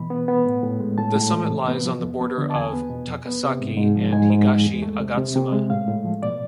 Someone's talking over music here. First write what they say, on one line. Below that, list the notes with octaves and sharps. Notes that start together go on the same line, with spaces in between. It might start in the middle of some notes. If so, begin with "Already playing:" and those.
The summit lies on the border of Takasaki and Higashi Agatsuma.
Already playing: B2 E3 B5
B3
B3
A2
A2
G#3
A2 A5
A2
E3
C3
B3
F3
F2
B3
D3
A5
E2 G#5
B3
B2
F2
B3
C3
G#2
G#2
F3
G#2 G#5
G#2
G#3
E2
A3
C3
C3
C3
G#3
A2 F5
A2
F3
B2 D5